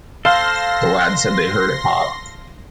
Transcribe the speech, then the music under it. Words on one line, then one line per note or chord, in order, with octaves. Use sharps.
The lads said they heard it pop.
A4 C5 F5 C6 A#6